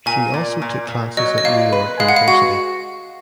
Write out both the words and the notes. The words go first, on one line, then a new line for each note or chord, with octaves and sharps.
She also took classes at New York University.
A#2 G#5
A#2
A#2
A#2
F#3 D#5
D#5
A#2 F5
B4
G#3 F5
F#5
F5
F#4 F#5